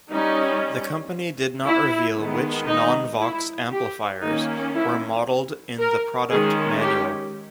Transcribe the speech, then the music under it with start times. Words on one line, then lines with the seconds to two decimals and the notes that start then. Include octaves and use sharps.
The company did not reveal which non-Vox amplifiers were modeled in the product manual.
0.10 G3 C#4 D#4
1.65 E4
2.17 D#3 G#3 B3
2.69 D#4
3.20 E4
3.72 G4
4.23 D#3 A#3 C#4 D#4
4.75 E4
5.79 A#4
6.30 D#3 G#3 C#4 G#4
6.81 G4